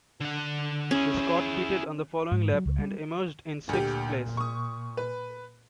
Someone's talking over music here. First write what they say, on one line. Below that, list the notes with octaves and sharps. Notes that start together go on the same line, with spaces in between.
The Scot pitted on the following lap and emerged in sixth place.
D3 F#5
C#4 E4 G#4
G#2
F#3
C#2
G3
D2 A#2 G4
C#6 D#6
B4